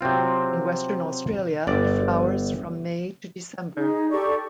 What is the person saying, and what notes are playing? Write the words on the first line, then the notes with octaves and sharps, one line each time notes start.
In Western Australia it flowers from May to December.
C3 F#3 C4 F4
G1 D5
D#4 G#4
G4 A4 D5 C#6